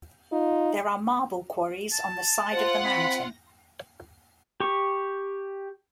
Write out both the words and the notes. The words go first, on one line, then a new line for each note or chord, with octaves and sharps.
There are marble quarries on the side of the mountain.
D#4 F4
A5
F4 C5 F#5
C4 B5
G4 C#6